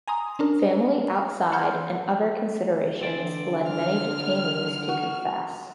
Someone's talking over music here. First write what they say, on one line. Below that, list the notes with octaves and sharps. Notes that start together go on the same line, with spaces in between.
Family outside and other considerations led many detainees to confess.
G#5 A#5 C6 D#6
C#4 D4 A#4
F#5 A5 C6 F6 G6 G#6
D3 C4 D5
F6
F#4